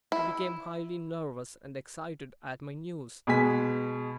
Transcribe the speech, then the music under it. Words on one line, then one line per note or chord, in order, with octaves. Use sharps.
He became highly nervous and excited at my news.
E4
B2 G#3 G#5 B6